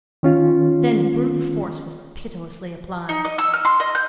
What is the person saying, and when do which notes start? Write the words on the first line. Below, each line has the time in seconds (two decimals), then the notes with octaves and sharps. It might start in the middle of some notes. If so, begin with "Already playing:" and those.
Then brute force was pitilessly applied.
0.23 D#3 C#4 F4
3.09 D#4
3.25 D#5
3.38 E6
3.53 F6
3.65 C6
3.80 D#5
3.95 G6